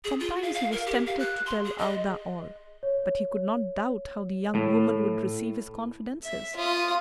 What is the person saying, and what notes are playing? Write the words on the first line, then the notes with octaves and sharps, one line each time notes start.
Sometimes he was tempted to tell Aouda all; but he could not doubt how the young woman would receive his confidences.
G#4
F4
F5
F5
A#4
G4
F5
F#6
C6
G#4
D#5
C#5
A2
E5
F4 D#6